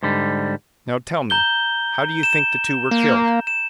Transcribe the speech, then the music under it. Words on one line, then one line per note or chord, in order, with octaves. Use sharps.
"Now, tell me, how do you think the two were killed?"
G#2 D3 G3
A#5 G6 G7
E7
A#3
E7